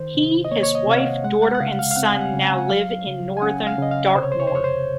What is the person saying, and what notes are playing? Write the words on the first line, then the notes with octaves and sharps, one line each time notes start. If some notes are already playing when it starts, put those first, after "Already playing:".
He, his wife, daughter and son now live in northern Dartmoor.
Already playing: D#3 C5
C3
D#5
A#3 C#5
C#5
D#5
C3 F#5
F5
G#3 F#5
F#5
F#5
C#3 F5
F5
F5
C4 F#5
G#5
F#5
C#3
G#5
F#5
F#3 F5
C#3
G#5
C#4 F#5
F5
C#3 D#5
F5
C3 C5
C#5
C5
C#5
C5
F2 C#5
C5